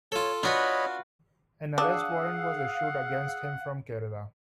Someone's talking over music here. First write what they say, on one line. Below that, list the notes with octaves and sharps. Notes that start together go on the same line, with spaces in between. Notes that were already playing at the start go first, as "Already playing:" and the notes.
An arrest warrant was issued against him from Kerala.
F4 A4 C#5
D4 F4 F#4 B4 C#5 D#5 B5
D4 G#4 F5 F#5 D#6 E6